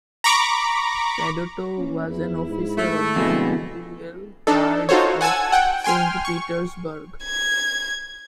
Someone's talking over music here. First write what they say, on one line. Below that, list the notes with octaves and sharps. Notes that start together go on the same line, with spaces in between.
Fedotov was an officer of the Imperial Guards of Saint Petersburg.
A#5 B5 C#6 D6
E3 A#3 C#4
E2 E4
G#2
A3
F2 B2 D3 G#3 E4
D4 D#4 A4
D#4 F4 F#4 A4 C5 C#5
F#5 G#5 A5 E6 G#6
F#5 G5
G5 G#5 C6 F6
C#6
G#6